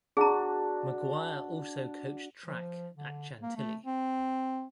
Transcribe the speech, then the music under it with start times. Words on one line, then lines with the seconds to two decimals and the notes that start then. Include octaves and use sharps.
McGuire also coached track at Chantilly.
0.17 D4 F#4 G#4 A#5
2.46 F3
2.96 D3
3.42 A#3
3.56 A3
3.85 C4